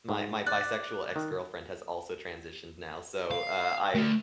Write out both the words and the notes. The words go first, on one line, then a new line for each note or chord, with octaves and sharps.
my my bisexual ex-girlfriend has also transitioned now. So, uh, I
G#2
D5 F#6
D#3
F5
A3 D5